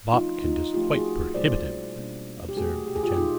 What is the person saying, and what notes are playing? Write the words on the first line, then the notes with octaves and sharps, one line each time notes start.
"Botkin is quite prohibitive," observed the general.
F3 A3 D4 D#4 F4
D#4 F4
F3 A3 D4 F4 G4
F#4 G#4
B2 G3 A#3 D4 C5 D5
B2 G3 A#3 D4
G4
A#2 F#3 A3 F#4 G#4
G4
G#4
F4 G4
A#2 F#3 A3 D#4 F4